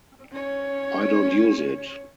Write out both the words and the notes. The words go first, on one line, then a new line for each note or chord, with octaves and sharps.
I don't use it.
C#4 C#5